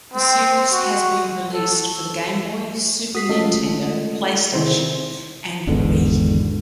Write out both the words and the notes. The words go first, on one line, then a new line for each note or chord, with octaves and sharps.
The series has been released for the Game Boy, Super Nintendo, PlayStation, and Wii.
C4
F#4
A4
F#4 D#6 B6 C7
G#3 A3 C#4 F4 A4 D#5
C3 D#3 C4 E4 G#4 C5
G#1 E2 G#2 D3